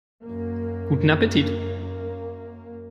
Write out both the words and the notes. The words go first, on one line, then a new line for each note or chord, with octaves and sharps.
Guten Appetit!
F#2 A#3